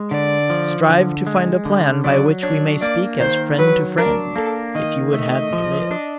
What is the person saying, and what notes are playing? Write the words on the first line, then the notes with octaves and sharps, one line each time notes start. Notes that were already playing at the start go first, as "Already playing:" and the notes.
Strive to find a plan by which we may speak as friend to friend, if you would have me live.
Already playing: G#3
D3 D5
F3
D3
G#3
D3
F#3 D5
D4 C#5
A#3 D5
D#3 C5
F#3 B4
D4 A#4
A#3 A4
D#3 D#5
A3 D#5
F3
D4